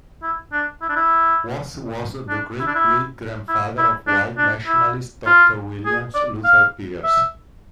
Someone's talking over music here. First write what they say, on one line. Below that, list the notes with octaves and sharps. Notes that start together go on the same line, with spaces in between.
Watts was the great-great-grandfather of white nationalist Doctor William Luther Pierce.
E4
D4
E4
D4
E4
D4
E4
D4
E4
E4
E4
D4
D4
E4
F4
G#4
D5
F5
E5